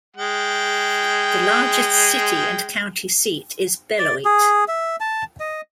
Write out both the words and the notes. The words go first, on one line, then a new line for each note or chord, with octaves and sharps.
The largest city and county seat is Beloit.
G#3 G5
D5
G#4
E5
A5
D#5